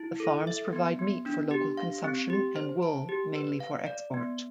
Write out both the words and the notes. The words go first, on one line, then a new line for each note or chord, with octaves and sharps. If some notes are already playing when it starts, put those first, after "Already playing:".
The farms provide meat for local consumption and wool mainly for export.
Already playing: E4
A4
E5
B3
B3
D4
G4
F5
C4
G4
C5
A5
G4
B4
F5
D5
B3